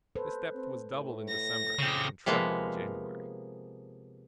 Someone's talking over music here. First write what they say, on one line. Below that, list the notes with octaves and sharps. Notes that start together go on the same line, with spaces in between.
This depth was doubled in December, and trebled in January.
A4 B4 C5
C4
A2
A#6
F2 C#3 G4
C3 F3 G#3 A#3 B3